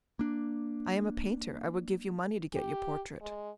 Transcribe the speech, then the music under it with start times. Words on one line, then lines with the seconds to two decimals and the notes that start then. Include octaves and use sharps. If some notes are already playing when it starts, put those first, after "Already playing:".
"I am a painter: I would give you money to get your portrait."
0.19 A#3 D4
2.54 G4
3.21 G#3